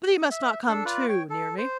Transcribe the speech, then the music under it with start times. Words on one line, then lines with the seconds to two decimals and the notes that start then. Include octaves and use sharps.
But he must not come too near me!'
0.31 E5
0.69 D4 A4 E6
0.85 F4 B4 D5
1.09 C#5 G5
1.30 A4
1.58 C5